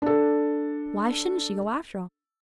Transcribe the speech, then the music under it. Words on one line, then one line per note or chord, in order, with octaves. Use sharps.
Why shouldn't she go, after all?
D4 A4